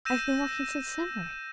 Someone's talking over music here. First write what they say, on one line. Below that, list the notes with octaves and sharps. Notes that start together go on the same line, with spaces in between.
I have been walking since sunrise.
E6 G6 A#6 D#7 E7